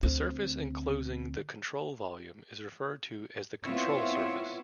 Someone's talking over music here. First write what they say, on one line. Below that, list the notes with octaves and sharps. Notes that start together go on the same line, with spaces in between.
The surface enclosing the control volume is referred to as the control surface.
D2 C4
B3 C4 E4 F4 C#5 E5